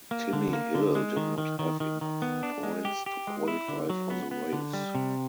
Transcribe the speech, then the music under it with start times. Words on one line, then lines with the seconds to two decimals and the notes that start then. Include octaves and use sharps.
Timmy Hill did not have enough points to qualify for the race.
0.11 A#3
0.33 D3
0.53 A#3
0.75 D3
0.95 G#3
1.17 D#3
1.38 D#3
1.59 D#3
1.80 D#3
2.01 D#3
2.22 B3
2.43 D4
2.63 G#3
2.85 G4
3.06 G4
3.27 G#3
3.48 E4
3.68 D3
3.90 F#3
4.10 B3
4.31 B3
4.53 D3
4.73 G3
4.95 C3